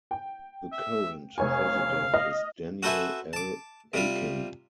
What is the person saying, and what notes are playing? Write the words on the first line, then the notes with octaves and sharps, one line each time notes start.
The current president is Daniel L. Akin.
G5
E5
F1 C#5 F5 G#5
D#5 F6
F#4 A4 B4 C5 E5 G#5
A5 D6
C3 G3 F4